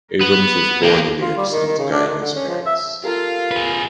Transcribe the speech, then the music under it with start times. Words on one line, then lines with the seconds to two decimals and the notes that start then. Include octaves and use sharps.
Abrams was born in New York City to Guyanese parents.
0.21 B3 B4
0.83 A#3 G4
1.21 F4
1.37 G3
1.51 D#3
1.67 D#3
1.79 C#3
1.92 D4
2.07 D#3
2.21 D3
2.35 C#4
2.48 F3
2.66 E5
3.04 F4 G4 A4 A#4 F5
3.51 G#4 B4